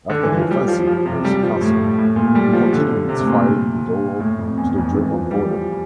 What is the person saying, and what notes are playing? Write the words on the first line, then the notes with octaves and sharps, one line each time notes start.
After the offensive was cancelled, it continued its fighting withdrawal to the German border.
D3
E3
F3
G3
F3
F3
C3
G3
F3
A2
A2
A#2
G3
F3
D3
C3
A2
A#2
A2
F2
E2
E2
F2
E3
F3
G3
F3